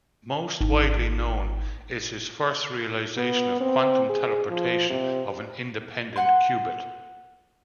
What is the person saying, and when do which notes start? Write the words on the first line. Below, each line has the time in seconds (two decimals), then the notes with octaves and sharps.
Most widely known is his first realization of quantum teleportation of an independent qubit.
0.61 G#1
3.17 B3
3.61 C4
4.09 G#4
4.49 F3
4.90 C3
6.16 F#5 C6